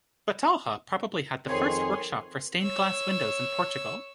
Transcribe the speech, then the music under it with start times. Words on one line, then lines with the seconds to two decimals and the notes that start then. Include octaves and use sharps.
Batalha probably had the first workshop for stained-glass windows in Portugal.
1.46 F2 D#3 C4 G#4 C#5 C6
2.62 C#5 E6